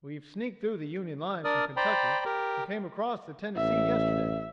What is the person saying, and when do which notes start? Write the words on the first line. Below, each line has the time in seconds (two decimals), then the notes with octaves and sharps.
We've sneaked through the Union lines from Kentucky, and came across the Tennessee yesterday.
1.44 D4 A#4 D5 D#6 F6
1.77 C5 D5 G5 A#5 B5
2.25 G4 A#4
3.57 A1 E5